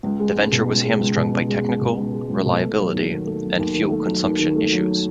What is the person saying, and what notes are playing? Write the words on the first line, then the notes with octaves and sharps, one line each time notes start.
The venture was hamstrung by technical, reliability, and fuel consumption issues.
C#2
G#3
C#2
B2
C#2
G#3
C#2
B2
C#2
G#3
C#2
B2
C#2
G#3
C#2
B2
A3
F#3
D#2
D#3
A3
F#3
D#2
D#3
A3
F#3
D#2
D#3
A3
F#3